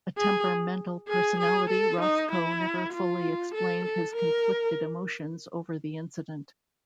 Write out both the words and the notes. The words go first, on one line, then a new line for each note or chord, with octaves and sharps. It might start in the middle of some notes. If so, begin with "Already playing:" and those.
A temperamental personality, Rothko never fully explained his conflicted emotions over the incident.
G#4
G#4
G#4
A4
D#4
E4
F4
A4
A4
A#4